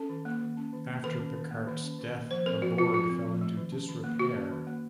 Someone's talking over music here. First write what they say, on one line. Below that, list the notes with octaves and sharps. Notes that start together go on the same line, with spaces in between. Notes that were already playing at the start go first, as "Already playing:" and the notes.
After Piccardt's death the borg fell into disrepair.
Already playing: C#4 A4
D#3
A#3
D#3
C#4
D#3
A#3
D#3 A#4
C#4
D#3
A#3
D#3
C#4
D#3
A#3
F3 C5
C4 A#4
F3 F#4
A3 F4
F3 F4
C4
F3
A3
D#3
C#4
D#3
A#3
D#3 F#4
C#4
D#3
A#3